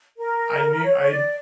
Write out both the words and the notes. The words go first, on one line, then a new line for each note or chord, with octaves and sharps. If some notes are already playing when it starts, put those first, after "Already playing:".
I knew, I kn
A#4
C#5
C#5
D5